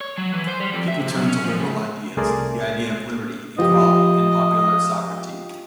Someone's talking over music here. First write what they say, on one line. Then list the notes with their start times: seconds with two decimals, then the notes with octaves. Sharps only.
People turned to liberal ideas: the idea of liberty, equality, and popular sovereignty.
0.01 C#5
0.18 F#3
0.34 E3
0.48 C5
0.60 G3
0.73 F2
0.88 E5
1.00 C3
1.16 F#3
1.28 C#4
1.44 F3
1.60 C#3
2.17 C2 A3 G#4 A#4 D5 C6
3.58 F3 G4 D#5